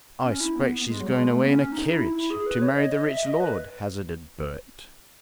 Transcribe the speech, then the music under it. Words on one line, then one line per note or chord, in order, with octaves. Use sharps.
"I 'spect she's going away in a kerridge to marry the rich lord," hazarded Bert.
C#4
E4
B3
G#3
F#3
G#3
A3
B3
C#4
D#4
E4
E4
G#4
B4
C#5
D#5
D#5
E5
D#5
B4